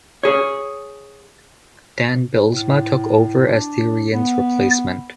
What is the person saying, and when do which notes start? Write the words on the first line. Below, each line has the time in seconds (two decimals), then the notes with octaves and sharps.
Dan Bylsma took over as Therrien's replacement.
0.23 G#4 C#5
2.50 A2
3.46 D4
4.12 B3